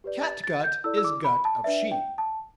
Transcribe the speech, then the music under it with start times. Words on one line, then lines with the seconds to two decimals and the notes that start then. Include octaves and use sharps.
Catgut is gut of sheep.
0.04 G4 B4 D5
0.24 A6
0.44 A6
0.64 G6
0.84 E4 A4 D5 E6
0.98 E6
1.04 D6
1.24 B5
1.45 A5
1.64 D4 B4 D5 E5
1.91 G5
2.18 A5